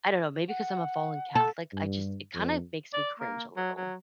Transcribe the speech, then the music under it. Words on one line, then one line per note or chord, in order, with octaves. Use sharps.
I don't know, maybe 'cause I'm a fallen Catholic, I just it kinda makes me cringe a little.
F#5
A4
G2
F2
D5
A#3
F#3
F#3